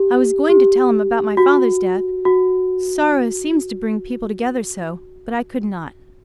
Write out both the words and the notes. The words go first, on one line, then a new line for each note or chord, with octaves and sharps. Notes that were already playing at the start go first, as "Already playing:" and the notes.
I was going to tell him about my father's death, sorrow seems to bring people together so, but I could not.
Already playing: G4
G4
F#4
F#4